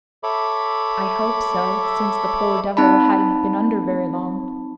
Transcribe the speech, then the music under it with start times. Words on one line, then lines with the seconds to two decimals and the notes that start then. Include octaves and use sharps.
I hoped so, since the poor devil hadn't been under very long.
0.23 A4 C#5 E5 B5 D6
2.77 C4 D#4 A5 B5